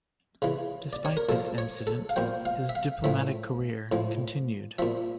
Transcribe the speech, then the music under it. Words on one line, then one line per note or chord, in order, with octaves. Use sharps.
Despite this incident, his diplomatic career continued.
C#3 E3
D5
C#5
A#4
A#2 F3 A4
C#5
A4
F5
A#2 F3 G5
F5
E5
F5
A2 F3 E5
A2 F3
A#2 F3 E5